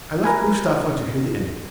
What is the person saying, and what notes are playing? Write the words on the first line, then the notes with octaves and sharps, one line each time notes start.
I left Mustapha to hear the end of it.
A#4 B4 G#5